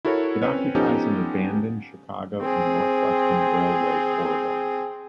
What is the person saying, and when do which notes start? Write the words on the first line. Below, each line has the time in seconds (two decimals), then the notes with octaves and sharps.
It occupies an abandoned Chicago and North Western Railway corridor.
0.05 E4 F#4 A4 A#4 C#5
0.42 C4 C#4 B4 C#5
0.75 F3 B3 C#4 D#4 G4 A4
2.41 C4 G#4